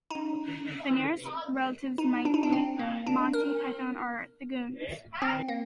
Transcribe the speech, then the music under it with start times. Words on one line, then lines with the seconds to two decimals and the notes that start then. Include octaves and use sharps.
The nearest relatives might be Monty Python, or The Goons.
0.10 D#4
1.98 D#4
2.25 D4
2.34 D#4
2.43 D4
2.53 C4
2.79 A#3
3.07 D4
3.33 A#4
5.22 C4
5.48 A#3